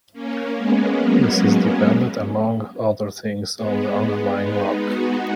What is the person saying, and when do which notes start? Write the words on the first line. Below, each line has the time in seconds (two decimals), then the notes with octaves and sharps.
This is dependent, among other things, on the underlying rock.
0.13 A#3 C#4
0.55 G#3 B3
0.99 F#3 A#3
3.57 G#3 B3
4.00 G#3 B3
4.43 B3 D#4
4.86 D#4 F#4